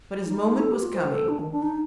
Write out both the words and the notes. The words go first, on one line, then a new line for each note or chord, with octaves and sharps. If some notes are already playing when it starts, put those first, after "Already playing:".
But his moment was coming.
D#4
A4
G4
F4
C5
A4
D4
D#3
D4
D#4